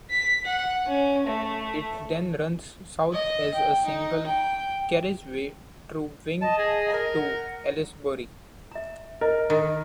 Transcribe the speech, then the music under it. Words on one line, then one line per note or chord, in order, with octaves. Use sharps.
It then runs south as a single carriageway through Wing to Aylesbury.
B6
F#5
C#4
A3
D#5
G5
D#4
G5
D#5 A5
G#4
A#4
F#5
E5 A#5
A#4 D#5
D#3 D#5